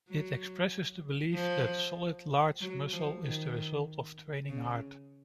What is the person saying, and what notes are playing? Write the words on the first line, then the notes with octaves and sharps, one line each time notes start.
It expresses the belief that solid large muscle is the result of training hard.
F#3
F3
F#3
F3
D#3
C#3